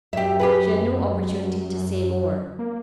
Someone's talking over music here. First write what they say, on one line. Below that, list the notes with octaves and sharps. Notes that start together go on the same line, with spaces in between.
She had no opportunity to say more.
F#2 G4 E5
G4 G#4 B4
F#2
A#3